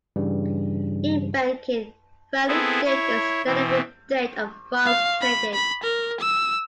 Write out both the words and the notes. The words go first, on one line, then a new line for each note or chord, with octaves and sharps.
In banking, value date is the delivery date of funds traded.
G2 C#3 E3 G3
B3 C4 E4 G#4 A4
E4 C#5
B2 E3 C4
F5
B5
B5
A#4
E6